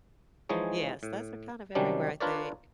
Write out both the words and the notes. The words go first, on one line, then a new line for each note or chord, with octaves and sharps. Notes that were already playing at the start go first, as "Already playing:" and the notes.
Yes, those are kind of everywhere, I think.
E3 F3 G#3 D#4 G#4 C#5
A2
C3 D#3 F#3 G3 C#4 D4
D4 F4 A#4 B4 C#5 D5